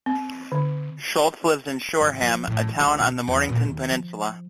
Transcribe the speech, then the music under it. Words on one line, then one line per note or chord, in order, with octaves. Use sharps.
Schultz lives in Shoreham, a town on the Mornington Peninsula.
C4
D3
G#1
F3
A2
E3
C#2
B2
E2
A#2
D#2
F3